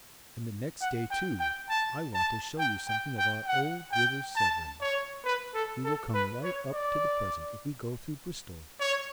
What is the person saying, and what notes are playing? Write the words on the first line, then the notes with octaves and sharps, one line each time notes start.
And the next day too I want to show you something of our old River Severn. We will come right up to the present if we go through Bristol.
F#5
G5
G5
A5
A5
G5
G5
G5
F#5
G5
A5
C#5
B4
A4
A4
B4
C#5
D5
C#5